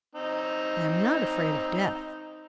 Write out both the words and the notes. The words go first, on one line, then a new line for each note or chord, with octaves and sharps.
I am not afraid of death.
C4 D#4